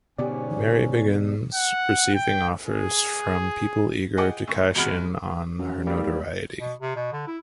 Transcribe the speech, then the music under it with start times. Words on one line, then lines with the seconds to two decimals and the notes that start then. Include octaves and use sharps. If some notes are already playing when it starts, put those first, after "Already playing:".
Mary begins receiving offers from people eager to cash in on her notoriety.
0.18 G#2 B2 D3 B3 C#4 G4 D5
1.54 F#5
2.14 G5
2.67 G#4
4.17 G#4 D#5 F#5 G5 D6
4.47 D2 C#6
4.75 E2 G#3 F#4 F#5 B5 F6
5.59 F#2
5.87 G3 A#3
5.99 G#2
6.60 B2
6.81 C3
6.96 B2
7.12 D3
7.27 E4